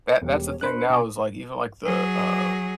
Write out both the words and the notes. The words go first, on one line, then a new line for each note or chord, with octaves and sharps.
That that's the thing now is, like, even like the, uh,
E1 G3
C#5
D4 A#4 C5 B5 F#6
B2 G#5 D6
F#3 G#4